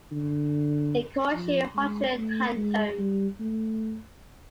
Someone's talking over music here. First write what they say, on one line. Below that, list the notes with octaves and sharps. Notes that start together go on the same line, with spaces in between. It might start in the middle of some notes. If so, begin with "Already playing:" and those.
In Coleshill Hundred Hantone.
D3
F3
G#3
A3
G#3
G3
A3